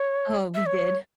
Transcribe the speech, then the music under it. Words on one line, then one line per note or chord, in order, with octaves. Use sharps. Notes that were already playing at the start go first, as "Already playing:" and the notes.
Oh, we did.
Already playing: C#5
E5
C#5